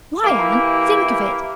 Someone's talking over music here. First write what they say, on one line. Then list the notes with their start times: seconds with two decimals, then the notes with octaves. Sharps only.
Why, Anne, think of it!
0.23 E3 A#3 E4 G4